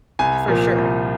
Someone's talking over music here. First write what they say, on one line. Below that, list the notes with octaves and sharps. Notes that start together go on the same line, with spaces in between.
For sure.
C2 G#5
A#2 F3 A#3
C2